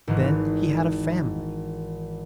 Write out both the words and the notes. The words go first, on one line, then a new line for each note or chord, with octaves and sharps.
Then he had a family!
G#1 D#3 E3